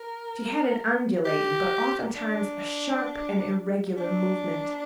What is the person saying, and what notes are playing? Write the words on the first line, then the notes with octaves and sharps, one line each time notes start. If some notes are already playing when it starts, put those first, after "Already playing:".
She had an undulating, but oftentimes a sharp and irregular movement.
Already playing: A#4
G4
D4
D4